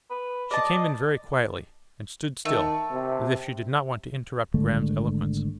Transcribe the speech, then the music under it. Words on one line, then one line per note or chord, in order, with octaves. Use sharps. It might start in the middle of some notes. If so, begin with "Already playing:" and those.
She came in very quietly, and stood still, as if she did not want to interrupt Graham's eloquence....
B4
D5 D#5 A5
D#3 A3
C3
G#1 D3 G#3 A3